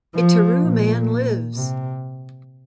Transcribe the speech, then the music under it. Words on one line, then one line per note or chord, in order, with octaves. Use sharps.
Gitaroo Man Lives!
F3
A#2
C3